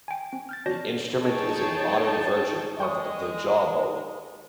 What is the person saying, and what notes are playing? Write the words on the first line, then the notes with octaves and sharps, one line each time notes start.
The instrument is a modern version of the jawbone.
G5 G#5
C4
F6 G6 A6
F#4 C#5 D5 A5 G6 A#6
D#4 G#4 C#5 G5 A5
G#3 D#5 G5 C#6 D#6